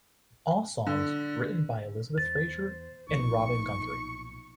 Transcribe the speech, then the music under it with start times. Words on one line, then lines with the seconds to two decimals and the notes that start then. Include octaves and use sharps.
All songs written by Elizabeth Fraser and Robin Guthrie.
0.86 D3
2.18 E2 C5 A6
3.09 B1 A#2 F3 D#4 C#6